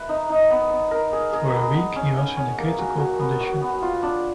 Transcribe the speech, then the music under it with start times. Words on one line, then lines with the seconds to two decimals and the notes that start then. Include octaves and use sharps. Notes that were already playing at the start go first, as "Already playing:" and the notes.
For a week he was in a critical condition.
Already playing: B4 E5
0.09 D#4
0.29 D#4
0.50 B3
0.70 B3
0.91 A#4
1.13 G#4
1.33 G#4
1.54 B3
1.74 B3
1.96 C#4
2.17 C#4
2.37 C#4
2.58 A#3
2.78 F#4
3.00 F#4
3.19 B3
3.41 F#4
3.61 B3
3.82 F4
4.03 D4